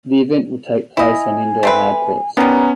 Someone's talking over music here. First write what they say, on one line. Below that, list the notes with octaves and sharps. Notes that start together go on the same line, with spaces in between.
The event will take place on indoor hard courts.
E4 D#5 G#5
A3 C4 B4
D#3 G3 B3 C#4 A#5